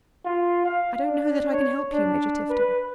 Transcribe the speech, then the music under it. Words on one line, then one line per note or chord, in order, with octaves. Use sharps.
"I don't know that I can help you, Major Tifto."
F4
F5
D4
C#5
D4
B4